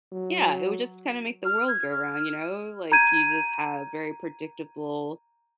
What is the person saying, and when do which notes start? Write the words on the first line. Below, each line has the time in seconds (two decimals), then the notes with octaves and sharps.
Yeah, it would just kinda make the world go round, you know, like, you just have very predictable
0.12 F#3
1.45 F6
1.68 G#6
1.92 F6
2.92 A#5 G6 G#6 D#7